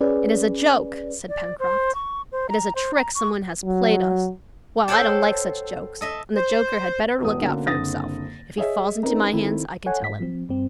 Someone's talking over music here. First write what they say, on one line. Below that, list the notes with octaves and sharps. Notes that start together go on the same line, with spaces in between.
"It is a joke," said Pencroft; "it is a trick some one has played us. Well, I don't like such jokes, and the joker had better look out for himself, if he falls into my hands, I can tell him."
C#4 G#4 B4 D5
D5
C5
C#6
C5
A#5
C5
A#5
C#6
F#3
A4 C5 C#5 F#5 G5 A5
A4 D#5 E5
C5
E1 A1 E2 D#6
B2 D3 A#3 C#4 D4
F#1 D3 C4 D#6 A6 A#6
G#4 C#5 D#5 E5
C4 C#4 D#4 A#4 B4
D#3 C4 E4 A4
A4 C#5 F#5 G#5
G#2 B6
F3 C4
G2 C4